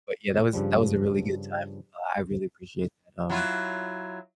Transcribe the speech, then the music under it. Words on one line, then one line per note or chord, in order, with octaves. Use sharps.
But yeah, that was that was a really good time. Uh, I really appreciate that, um,
G2 C#3 F3 G3
F#3 E4 F4